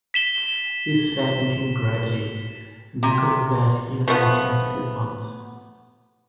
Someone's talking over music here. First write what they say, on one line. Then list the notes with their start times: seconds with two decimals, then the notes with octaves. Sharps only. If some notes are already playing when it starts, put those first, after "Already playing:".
This saddened him greatly, and because of that, he only attempted it once.
0.14 B6 E7 G7
3.03 C3
4.08 F3 A3 B3